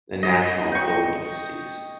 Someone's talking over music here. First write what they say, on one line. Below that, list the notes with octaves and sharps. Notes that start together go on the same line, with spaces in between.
The national authorities ceased.
D#5
G5 C#6